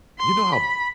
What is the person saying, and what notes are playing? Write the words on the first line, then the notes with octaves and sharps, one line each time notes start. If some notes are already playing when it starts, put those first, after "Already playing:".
You know how
C6
B5